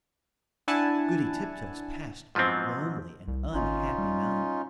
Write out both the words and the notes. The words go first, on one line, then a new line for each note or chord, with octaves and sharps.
Goody Tiptoes passed a lonely and unhappy night.
D4 E4 F#5 G#5 A5
G#2 F3 F#3 B3 C4
C2
G#1 C#4 D#4 F4
G3